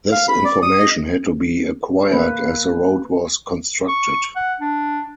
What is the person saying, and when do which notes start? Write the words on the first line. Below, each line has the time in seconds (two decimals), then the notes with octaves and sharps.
This information had to be acquired as the road was constructed.
0.12 F5
0.28 B5
0.45 D5
0.62 D#6
0.79 D#5
2.12 A#3 B4
3.88 C#6
4.36 F#5
4.60 D4